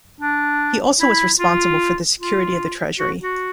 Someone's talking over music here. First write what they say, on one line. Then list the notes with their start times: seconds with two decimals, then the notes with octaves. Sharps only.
He also was responsible for the security of the treasury.
0.21 D4
1.01 E4
1.40 F4
2.19 F4
2.99 F#4
3.21 F#4